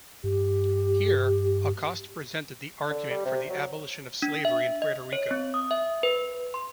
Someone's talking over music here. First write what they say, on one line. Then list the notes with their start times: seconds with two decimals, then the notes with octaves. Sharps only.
Here, Acosta presented the argument for the abolition of slavery in Puerto Rico.
0.24 G2 G4
2.90 D3
3.10 G3
3.25 C3
3.49 F#3
4.22 D4
4.45 E5
4.82 D#5
5.13 C#5
5.31 C4
5.54 D#6
5.71 E5
6.03 B4
6.54 C6